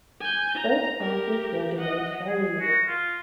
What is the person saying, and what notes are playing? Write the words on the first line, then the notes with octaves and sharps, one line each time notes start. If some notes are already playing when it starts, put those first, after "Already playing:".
Both parties were delayed very late.
G#5 G6
A#5
G4 A#4
D#5 F#5
G#4
F#4
F4